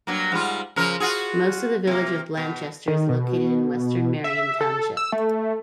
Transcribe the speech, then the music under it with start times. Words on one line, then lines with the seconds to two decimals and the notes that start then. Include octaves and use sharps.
Most of the village of Blanchester is located in western Marion Township.
0.07 G2 F#3 A#3
0.32 G#2 G3 F4
0.76 C#3 F3 A#4
1.00 F4 F#4 G#4
1.87 C3 A#3
2.37 B2
2.88 D#3
3.09 B2
4.24 E5
4.61 A4
4.97 E6
5.12 A3